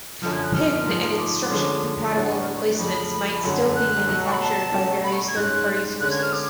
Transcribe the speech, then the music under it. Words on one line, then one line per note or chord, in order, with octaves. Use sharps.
Pin- and instruction-compatible replacements might still be manufactured by various third party sources.
F#2 D3 F3 F6
G#6
F#6
F6
G#2 F3 A3
D6
D3 F3 G#3 C#4
A2 F#3 B3 D4 C#6
F2 C#3 F3 A3 B5
F#2 D3 F#3
F#6
B2 F#3 A3
C#6
B5
A5
B2 F#3 A3 C#4
B5
C#6
G#6
G#2 G#3 C#4 F#6
D3 G#3 C#4 F#6
G#6
F6
D6